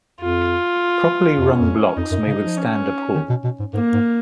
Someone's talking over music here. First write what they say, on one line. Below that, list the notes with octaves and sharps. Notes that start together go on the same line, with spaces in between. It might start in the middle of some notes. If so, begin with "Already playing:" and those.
Properly wrung blocks may withstand a pull.
F2 F4
F2 C#4
F2
F2 D#4
F#2
C#3
F3
C#4
D#3
B2
B2
G#2
G#2 A#3
G#2